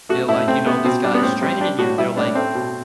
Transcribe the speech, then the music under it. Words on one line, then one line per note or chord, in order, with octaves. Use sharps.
they're like, "You know, this guy's training you." They're like,
A3 F#4
A2 E4
A3 C4
C3 B3
B2 C4
G3 D4
B3
A2 C4
G3 C4
G3 D4
A2 F#4
G3 E4
A2 D4
A3 C4
B2